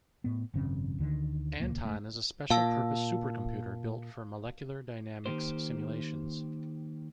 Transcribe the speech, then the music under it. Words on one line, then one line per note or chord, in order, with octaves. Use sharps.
Anton is a special-purpose supercomputer built for molecular dynamics simulations.
A2 B3
G#1 F#2 C#3 C4
D2 D3 D#3
D#1 C#2 A#3
F1 A3
A#2 F5 A5 E6
D#3 A#3 G4 C5